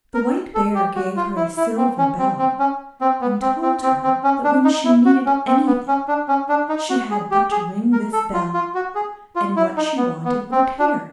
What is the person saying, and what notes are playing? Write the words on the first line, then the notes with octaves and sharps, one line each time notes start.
The White Bear gave her a silver bell, and told her that when she needed anything she had but to ring this bell, and what she wanted would appear.
A#4
A4
G4
F#4
F4
E4
E4
C4
C#4
C4
C4
C#4
C4
B3
C4
C4
C4
C4
C#4
D4
D#4
E4
F#4
C#4
C4
B3
C#4
D4
C#4
D4
D#4
F#4
G#4
G4
G#4
A#4
A4
F4
F4
F#4
G#4
F4
E4
D#4
B3
B3
C4
D4